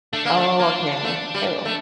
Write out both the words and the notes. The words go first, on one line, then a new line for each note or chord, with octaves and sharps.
Oh, okay. Ew.
A3 D4
A#3
A3
A#3
A3
G3
A3